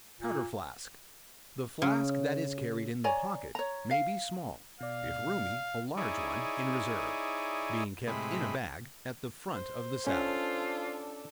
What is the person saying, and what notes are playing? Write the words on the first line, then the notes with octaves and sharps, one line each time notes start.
Powder-flask.--The flask that is carried in the pocket may be small, if roomy; a large one, in reserve, being kept in a bag, at the front of the saddle.
A#2
C#3
C#5 D5 G#5 A#5
C#5 A#5
F5
B2 D5 F5
D#4 E4 G#4 C#5 D5
A2 C3 G#3 B5
C5
C#4 D4 F4 A4